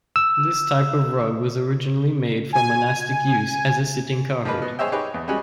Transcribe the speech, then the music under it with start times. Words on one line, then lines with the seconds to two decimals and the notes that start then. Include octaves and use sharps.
This type of rug was originally made for monastic use as a sitting carpet.
0.16 E6
2.53 G#5
4.45 F3 G#3 A#3 B4
4.62 B2
4.79 G#4 C5 C#5 D#5 E5 G5
4.92 D#4 G4 G#4 B4 C#5
5.14 E2
5.28 G3 G#3 C#4 F#4 G#4